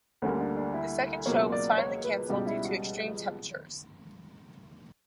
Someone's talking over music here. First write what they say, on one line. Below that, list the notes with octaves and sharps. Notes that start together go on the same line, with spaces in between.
The second show was finally canceled due to extreme temperatures.
D2 D3 G3 A#3 C#4
D4
D4
E4
C#2 B2 F#3 A#3 C#5
D5
C#5
B4
C#2 B2 G3 G4
E4
F#4